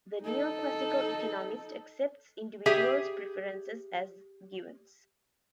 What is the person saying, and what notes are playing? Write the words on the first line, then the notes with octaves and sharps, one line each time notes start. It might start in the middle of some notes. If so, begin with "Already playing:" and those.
The neo-classical economist accepts individuals' preferences as givens.
D#4 A4
G4 G#4 E5